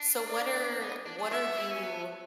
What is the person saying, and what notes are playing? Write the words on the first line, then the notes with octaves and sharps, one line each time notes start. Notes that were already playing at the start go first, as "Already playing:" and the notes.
So, what are what are you
Already playing: D4
D5
B3
D4
D4
E4 E5
F#4
D4
E4
C#4
B3